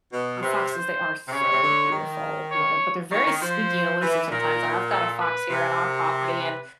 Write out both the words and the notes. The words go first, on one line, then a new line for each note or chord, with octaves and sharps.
But foxes, they are so beautiful, w eb but they're very sneaky and elusive sometimes. I've got a fox here on our property and
B2
C3 B4
C5
C3
C#3 C#5
C3
C3
D3
D#3
C#5
D#3 C#5
E3
D#3
F3 C5
E3
A#2 A#4
A4
B4
C3
A#4
B4